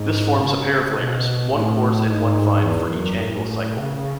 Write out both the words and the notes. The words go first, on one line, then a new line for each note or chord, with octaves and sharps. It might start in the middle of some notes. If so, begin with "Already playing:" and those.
This forms a pair of layers-one coarse and one fine-for each annual cycle.
Already playing: G#2
C#3
B2
A2
G#2
E2
F#2
A2
C#3